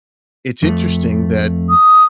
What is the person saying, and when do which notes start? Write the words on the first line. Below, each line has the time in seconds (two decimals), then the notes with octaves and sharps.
it's interesting that,
0.63 F2 A3
1.70 D#6